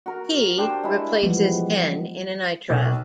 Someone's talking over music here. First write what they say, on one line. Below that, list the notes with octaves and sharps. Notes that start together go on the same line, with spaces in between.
P replaces N in a nitrile.
F#4 A#4
D4 G4 C5
G#3 E4
E3 F3 G3 G#3 B3
B1